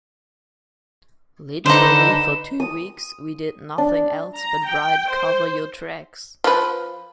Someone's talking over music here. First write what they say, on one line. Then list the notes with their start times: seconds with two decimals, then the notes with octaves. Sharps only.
Literally, for two weeks, we did nothing else but write "Cover Your Tracks".
1.66 D3 D#4 B4 C5 D#5 E7
2.60 D#6
3.78 D4
4.35 A#5
4.65 G5
5.10 C5
6.44 F3 B4